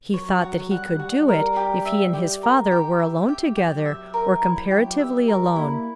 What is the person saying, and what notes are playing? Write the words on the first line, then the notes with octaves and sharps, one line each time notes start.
He thought that he could do it if he and his father were alone together, or comparatively alone.
F#3 C#5
F#4
G3 F#5
G3 F#4
A#4
G4
E5
G4
A#4
G4
E5
G4
F#3 G4
E5
A#4
E4
F#3 G4
G3 E5
G3 A#4
A#3 E4